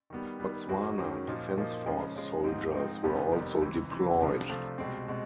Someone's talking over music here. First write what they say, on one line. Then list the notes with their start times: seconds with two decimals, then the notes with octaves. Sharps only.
Botswana Defence Force soldiers were also deployed.
0.10 D#3 G3 B3
0.40 D#3 G3 B3
0.68 F#2 D#3 G#3 C#4 F#4
0.98 F#2 D#3 G#3 C#4 F#4
1.28 A#2 F3 A#3 D#4
1.57 A#2 F3 A#3 D#4
1.86 C#3 F3 G#3
2.15 C#3 F3 G#3
2.44 G#2 F3 G#3 C4 D#4
2.74 G#2 F3 G#3 C4 D#4
3.03 F2 C3 D#3 G3 B3
3.32 F2 C3 D#3 G3 B3
3.61 C#2 C3 E3
3.90 C#2 C3 E3
4.20 C2 C3 F3 A3 D4
4.49 C2 C3 F3 A3 D4
4.78 C2 B2 G#3 C4
5.08 B2 G#3 C4